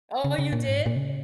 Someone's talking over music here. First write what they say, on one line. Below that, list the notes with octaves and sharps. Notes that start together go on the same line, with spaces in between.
Oh, you did?
C#3
C#3
A#2
G#2
A#2
C#3